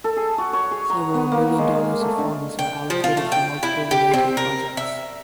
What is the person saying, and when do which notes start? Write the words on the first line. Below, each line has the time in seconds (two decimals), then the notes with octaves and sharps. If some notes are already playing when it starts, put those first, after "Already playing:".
Several million dollars of funds were allocated for multiple related projects.
0.04 A4
0.17 G#4
0.38 F#4
0.53 C#5
0.71 G#4
0.90 A#5
1.14 B3
1.32 A#3
1.58 G#3
2.01 A3
2.18 D3
2.59 G5
2.90 F3
3.04 F4
3.17 A3
3.32 G5
3.63 E4
3.91 G4
4.14 C4
4.37 A#4
4.77 E5